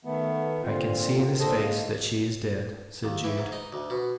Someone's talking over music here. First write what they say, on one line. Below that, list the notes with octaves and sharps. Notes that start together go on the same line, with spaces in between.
"I can see in his face that she is dead," said Jude.
D#3 A3 B3
A#2 D3 C4 F4
D#3
A#2 D3 D4 A4 C5 D#5
G#3 A#3
D#2
E3
G#2
D#4
D2
B2